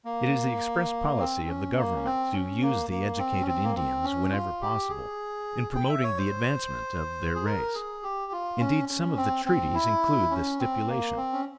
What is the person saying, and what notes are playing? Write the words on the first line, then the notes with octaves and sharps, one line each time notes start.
It is the express policy of the Government to use the educated Indians, whenever possible, in promoting the advancement of their race; indeed some of the treaties include this stipulation.
A#3
C4
C#4
A#3
C#4
C4
C#4
A#3
A#3
C4
C#4
C4
A#3
C4
C#4
F4
G4
G#4
G5
E5
C#5
C5
G#4
A#4
G#4
G4
F4
C#4
C#4
C4
C4
E4
C#4
C4
A#3
C4
C#4